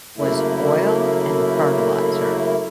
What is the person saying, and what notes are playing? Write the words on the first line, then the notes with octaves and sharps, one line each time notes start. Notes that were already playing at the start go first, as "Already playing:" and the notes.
was oil and fertilizer.
F#2 C#3 A3 A#3 E4